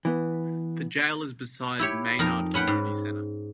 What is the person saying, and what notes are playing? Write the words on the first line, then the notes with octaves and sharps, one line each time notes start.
The jail is beside Maynard Community Center.
E3 B3
E4 G4 C#5
F2 D#4 A#4
C#4 B4 F#5 G5
G#2